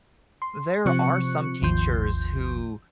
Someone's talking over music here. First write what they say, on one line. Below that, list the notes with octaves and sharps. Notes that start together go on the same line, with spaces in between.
there are some teachers who
C6
C3 F3 C4 C#6 F#6 C#7
G#1 D#2 F3 C6 G6